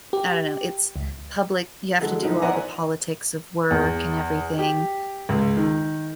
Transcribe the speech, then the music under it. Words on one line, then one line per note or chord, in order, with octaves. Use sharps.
I don't know, it's public you have to do all the politics of work and everything,
G4
C#2
D3 F3 F#3 G#3 A4
A#1 D3 E3 D#4
C5 D5 E5 F#5 G#5 A#5
E2
G4
C#2
D#3